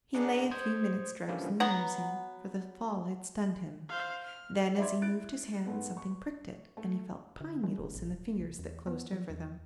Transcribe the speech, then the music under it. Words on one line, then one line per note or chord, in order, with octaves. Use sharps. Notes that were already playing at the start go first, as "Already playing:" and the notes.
He lay a few minutes drowsily musing, for the fall had stunned him; then, as he moved his hand something pricked it, and he felt pine-needles in the fingers that closed over them.
D4 G#4 D#5 F#5 A#5 D6
C5 D#6 G#6
D3 E3 F3 G3 A#3 C#4
F#3 B3 F#5 A#5
C5 F5
F6
D5 E5 B5 C6 G#6
E4 F#6 A6 D7
G#2 A3 B3
C#6
A3
D3
G3
E1
A1
D#1
C2
E2
B3
F3
E2